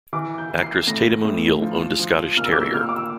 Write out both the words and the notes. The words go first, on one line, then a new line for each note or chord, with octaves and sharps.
Actress Tatum O'Neal owned a Scottish Terrier.
E3 D6
G6
E3
C7
A2 A#6
A2
F3
F3
A#2 F6
E6
D6
E6
A#2 F6
E6
D6
E6